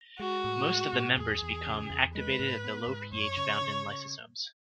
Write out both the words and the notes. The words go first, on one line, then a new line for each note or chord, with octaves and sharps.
Most of the members become activated at the low pH found in lysosomes.
G#3 F#4
A2
G#3
A2
E2 G#4
E2
C#3
E2
G#3 B4
G#2
B3
G#2
F#2 C#5
C#3
C#3
C#3